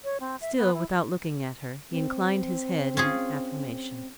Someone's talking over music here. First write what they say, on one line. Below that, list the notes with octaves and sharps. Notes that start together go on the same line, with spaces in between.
Still without looking at her, he inclined his head in affirmation.
C#5
C4
E5
B3
E4
C4
C#4 F4 G#4